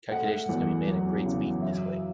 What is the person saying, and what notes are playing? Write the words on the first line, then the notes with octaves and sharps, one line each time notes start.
Calculations can be made at great speed in this way.
A3 F#5
E2
F#3
C#3
F#2 E5